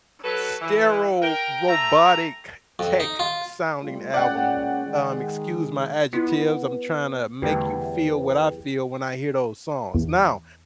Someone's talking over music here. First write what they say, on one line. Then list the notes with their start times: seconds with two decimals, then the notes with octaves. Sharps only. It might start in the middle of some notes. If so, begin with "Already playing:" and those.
sterile, robotic, tech-sounding album. Um, excuse my adjectives, I'm tryna make you feel what I feel when I hear those songs. Now,
0.24 F#3 A4 B4
0.61 E3
1.22 A#4 G5
1.68 A3 E5 G5 A#5
2.79 F2
3.00 D#4
3.19 F4
3.81 G3 A3 F4
4.14 A#2 G#3 C#4 D5 F#5 G5
4.86 D#3 G#3
6.13 B3 E4 F4 D#5
7.42 E2 D3 G3 A3 G4 B4 G5
9.95 E2